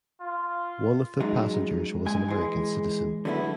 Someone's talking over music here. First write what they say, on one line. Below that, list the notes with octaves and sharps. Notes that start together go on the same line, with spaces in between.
One of the passengers was an American citizen.
F4
F#2 F#3 G#3 D#4
G#2 G#3 G#5
E3 G#3
D3 F#3 A3 B3 E4